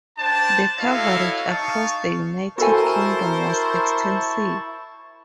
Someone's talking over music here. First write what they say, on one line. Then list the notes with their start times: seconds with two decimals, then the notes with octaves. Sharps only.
The coverage across the United Kingdom was extensive.
0.18 D4 C5 G5 A5
0.78 E4 F#4 A4 C#5 D#5 F5
1.46 D#4 F5 A5 C#6
2.58 E4 F#4 A4 A#4 C5 G#5 A5 C#6